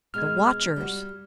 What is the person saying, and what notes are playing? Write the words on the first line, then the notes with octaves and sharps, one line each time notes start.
The watchers!
B2 G#3 F6 G#6
G3 F#4